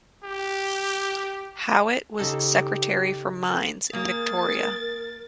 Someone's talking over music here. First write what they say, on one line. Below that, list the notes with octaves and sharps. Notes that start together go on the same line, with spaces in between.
Howitt was Secretary for Mines in Victoria.
G4
C#3 D#4 G4 A4
A#3 G#4 A#4 A6